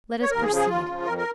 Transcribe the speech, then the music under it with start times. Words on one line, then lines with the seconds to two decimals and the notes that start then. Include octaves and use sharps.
Let us proceed.
0.22 C#5
0.31 D#2 A#4
0.43 G#4
0.49 C#3 F3
0.56 G#4
0.68 D#2 F4
0.86 C#3 F3
1.05 F2 A#4
1.18 A#4